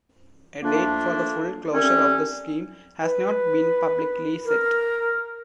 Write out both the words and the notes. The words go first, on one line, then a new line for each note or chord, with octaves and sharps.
A date for the full closure of the scheme has not been publicly set.
F3 A3 A#3 D4
G3 A3 C4 C#4
B4
A#4